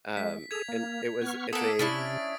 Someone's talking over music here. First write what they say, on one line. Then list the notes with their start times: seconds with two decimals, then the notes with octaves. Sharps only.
Um, and it was it's a
0.17 G#3 B6
0.51 G#4 A4 G#6 F7
0.68 A#3
1.22 B3 C#6 F6
1.53 A#3 B3 A4 F#5 D#6 B6 D7
1.79 C3 C#4 D4 E4 D#6 A6 D7